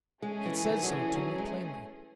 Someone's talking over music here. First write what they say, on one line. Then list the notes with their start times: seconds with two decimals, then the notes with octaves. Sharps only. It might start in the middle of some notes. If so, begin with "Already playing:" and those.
He said so to me, plainly.
0.22 G#3 A3 C#4 G#4
0.45 E3
0.65 E3
0.69 D#3
0.83 F#3
0.91 E3
1.15 F#3
1.38 G#3